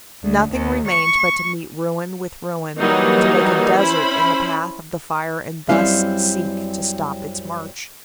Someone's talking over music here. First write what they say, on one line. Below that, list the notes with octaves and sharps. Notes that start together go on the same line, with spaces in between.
Nothing remained but to meet ruin with ruin, to make a desert in the path of the fire and thus seek to stop its march.
D2
D#2
C#6
E3 F#3 G3 A#3 D#4
C#4 E4 C5 B5
F#2 E3 G3 C4 E4 F5